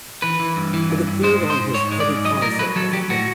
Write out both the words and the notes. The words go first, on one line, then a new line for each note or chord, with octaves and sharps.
It appeared on his "Heavy Concept" album.
E3 B4
E3
G2
E3
G2
G2
G#3 C5
G#2
C5
G#2
G#2 C#5
G#3
D5
G#2
F#3 D#5
A2 A#4
F#3 B4
F#3 A4
F#3 G4
A2 F#4